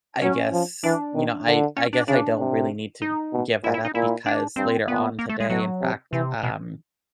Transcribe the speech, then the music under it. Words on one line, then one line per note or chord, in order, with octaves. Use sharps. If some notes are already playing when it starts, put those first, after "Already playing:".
I guess you know, I I guess I don't really need to give that up because later on today, in fact, um
F#3 C#4
F3
E3 D4
D#3
D3
C#4
D4
C#3 D4
C3
D#4
B2
A#2 E4
E4
D#4
A#2 E4
D4
G2 C4
A#2 B3
A#3
A3
G#3
B2 F#3
C3
C3 E3
B2